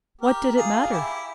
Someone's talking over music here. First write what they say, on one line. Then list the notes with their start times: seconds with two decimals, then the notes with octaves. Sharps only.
What did it matter?
0.21 G4 A#4
0.56 F4 G#4
0.80 G#4
0.91 E4 G4